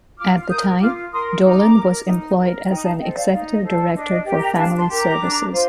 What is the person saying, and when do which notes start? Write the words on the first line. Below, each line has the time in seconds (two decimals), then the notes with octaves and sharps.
At the time, Dolin was employed as an executive director for family services.
0.17 F4 D6 F6
0.41 F6
0.49 A#4 D#6 G6
0.80 F4 D6 F6
1.11 A#4 C6 D#6
1.43 D#4 A#5 D6
1.74 A#4
2.06 D#4
2.37 A#4
2.68 D#4 G5 A#5
2.84 F5 A5
2.99 A4 C5 D#5 G5
3.15 D5 F5
3.31 D#4 D5 F5
3.52 D#5
3.62 A4 C5
3.72 D5
3.93 D4 D#5
4.09 D#5
4.24 G4 D#5 G5
4.28 A#4
4.41 G5 A#5
4.56 D4 F5 A5
4.77 A5 C6
4.87 G4 A#4
4.98 A#5 D6
5.19 D4
5.50 F4 C5